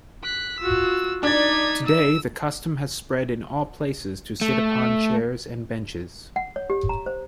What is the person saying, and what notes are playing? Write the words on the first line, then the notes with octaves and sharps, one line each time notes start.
Today, the custom has spread in all places to sit upon chairs and benches.
F#6 B6
F4 F#4 E6
D4 D#4 D5 G#6 B6
E6
A3
F#5
C#5
G4
A#5
C5